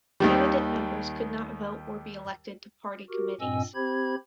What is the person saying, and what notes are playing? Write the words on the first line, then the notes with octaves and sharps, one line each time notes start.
Candidate members could not vote or be elected to party committees.
D#2 D#3 G3
F#4 G4 A#4
G2 A#2 C4 D#5 G#5 E6
C4 G4 C5 B5 G#6